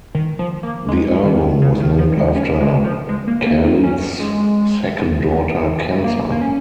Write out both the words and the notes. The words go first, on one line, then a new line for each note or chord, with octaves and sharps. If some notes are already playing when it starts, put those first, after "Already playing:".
The album was named after Khaled's second daughter Kenza.
D#3
F3
A#3
G#3
D#3
C#3
D#3
F3
G#3
C#4
G#3
F3
G#3
A#3
A#3
D#4
C#4
G#3
A#3
A#3
C#4